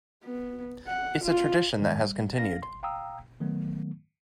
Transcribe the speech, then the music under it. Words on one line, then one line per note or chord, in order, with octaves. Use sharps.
It's a tradition that has continued.
B3
F#5
F4
F#2 D#3 G#3
G3
C#4 F5 A#6
C6
F5 G5 A#5 D#6 E6
D#3 F#3 A3 B3